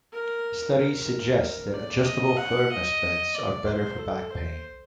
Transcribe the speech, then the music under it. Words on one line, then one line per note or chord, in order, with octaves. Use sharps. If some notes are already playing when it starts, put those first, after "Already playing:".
Studies suggest that adjustable-firmness beds are better for back pain.
A#4
A#4
D5
D#5
F#5
D#5
D5
C5
A4
C5